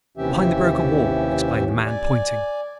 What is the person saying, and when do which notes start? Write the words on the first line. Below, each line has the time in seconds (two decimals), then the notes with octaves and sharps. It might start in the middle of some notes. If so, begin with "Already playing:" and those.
"Behind the broken wall," explained the man, pointing.
0.17 D#2 C3 E3 C#4 G4 E5
1.86 D5 G#5